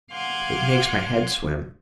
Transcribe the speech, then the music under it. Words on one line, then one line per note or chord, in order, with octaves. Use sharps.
"It makes my head swim."
F5 F#5 G#5 C6 D6 F6